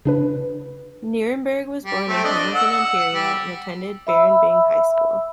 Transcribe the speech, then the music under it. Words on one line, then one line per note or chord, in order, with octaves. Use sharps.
Nirenberg was born in Hamilton, Ontario, and attended Baron Byng High School.
C#3 D4 B4
G3
A3 C4
D4 D#5
F#5 E6
G3
E5 B5 E6